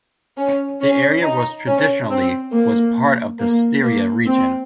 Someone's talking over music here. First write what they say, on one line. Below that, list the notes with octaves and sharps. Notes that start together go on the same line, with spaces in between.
The area was traditionally was part of the Styria region.
C#4
C#4
D#4
C#4
C4
A#3
A#3
A#3
C4